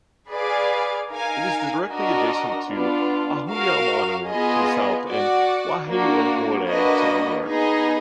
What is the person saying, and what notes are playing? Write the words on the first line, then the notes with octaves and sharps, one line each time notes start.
It is directly adjacent to Ahuimanu to the south and Waiahole to the north.
G#4 B4 D5 F5 G#5
D#4 A#4 F5 G#5
D4 F#4 A#4 D#5
B3 D4 F4
F#4 A#4 F5
B3 F4 G#4 D#5
F#4 D5 F#5
A#3 D4 F#4
A#3 D4 F#4 B4 D#5
B3 D#4 G#4 D#5